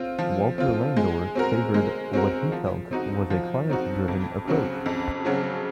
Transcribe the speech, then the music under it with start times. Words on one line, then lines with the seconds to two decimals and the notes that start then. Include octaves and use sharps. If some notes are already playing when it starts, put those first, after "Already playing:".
Walter Landor favored what he felt was a client-driven approach.
Already playing: C4 F4
0.19 F3
0.58 C4 F4
0.97 G#3
1.35 C4 F#4 A#4
1.74 G#3
2.13 C4 F#4 A#4
2.52 F3
2.91 C4 D#4 F#4
3.30 F3
3.69 C4 D#4 F#4
4.08 F2
4.47 C#3 F#3 C4 F#4
4.86 F2
5.25 C#3 F#3 C4 F#4